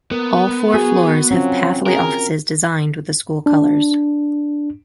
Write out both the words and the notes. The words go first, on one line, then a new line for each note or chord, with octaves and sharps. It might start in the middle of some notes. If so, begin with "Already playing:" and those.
All four floors have pathway offices designed with the school colors.
B3 A#4
F#4 G#4
F#3 C4 C#4 F4
G#4 A#4
D4